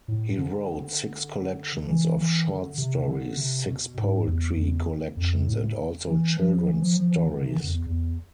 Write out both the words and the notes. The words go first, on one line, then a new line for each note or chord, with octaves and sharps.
He wrote six collections of short stories, six poetry collections, and also children stories.
A2
D3
E3
E3
D3
C3
D3
C3
B2
G#2
E2
E2
F2
A2
E3
F3
E3
F3
F3
E3
D3
C3
E3
D3
F2
E2
E2